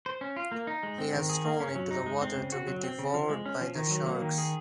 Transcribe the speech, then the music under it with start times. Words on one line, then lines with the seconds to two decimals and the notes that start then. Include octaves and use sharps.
He was thrown into the water to be devoured by the sharks.
0.06 C5
0.21 C#4
0.36 F4
0.52 A#3
0.67 D#4
0.83 G#3
0.98 C4
1.14 D#3
1.29 G#4
1.45 A#3
1.60 C#4
1.76 F#3
1.91 D#4
2.06 G#3
2.21 C4
2.37 C#3
2.52 F#4
2.68 F#3
2.83 C4
2.99 C#3
3.14 F3
3.30 G#3
3.46 C#4
3.61 F3
3.75 D#3
3.91 F#3
4.06 A#3
4.22 D#3
4.38 G#4